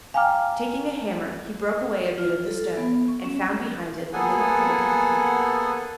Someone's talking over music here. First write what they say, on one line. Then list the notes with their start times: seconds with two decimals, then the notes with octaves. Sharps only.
Taking a hammer he broke away a bit of the stone, and found behind it a little golden key.
0.14 F5 G5 G#5 A#5 D6 F6
2.18 F4
2.46 A4
2.77 B3
3.08 C#6
3.24 C#4
4.13 A#3 B3 G#4 A4 F#5 G#5